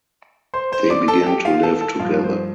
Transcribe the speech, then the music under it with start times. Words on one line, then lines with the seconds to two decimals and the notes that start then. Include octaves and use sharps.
They begin to live together.
0.54 C5 C6
0.72 C5 C6
0.90 D5 D6
1.08 A4 A5
1.26 G4 G5
1.45 F4 F5
1.63 A4 A5
1.81 A4 A5
1.99 G2 F3 F4 F5
2.24 C5